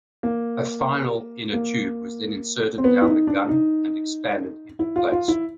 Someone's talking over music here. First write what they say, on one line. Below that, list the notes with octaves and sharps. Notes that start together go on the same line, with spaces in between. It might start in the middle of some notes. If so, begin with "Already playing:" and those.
A final inner tube was then inserted down the gun and expanded into place.
A#3
A#3
C4
B3
E4
D#4
D4
D#4
E4
F4
F4
E4